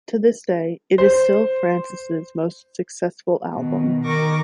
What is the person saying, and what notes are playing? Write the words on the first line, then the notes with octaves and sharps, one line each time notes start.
To this day, it is still Francis' most successful album.
C5
B2 D#3
D#3 A#4 C#6 D6 A#6